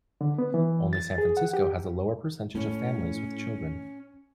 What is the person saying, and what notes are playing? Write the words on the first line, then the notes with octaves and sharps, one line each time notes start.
Only San Francisco has a lower percentage of families with children.
D3
B3
E3
A6
G#4
F#5
G4
A2 C#4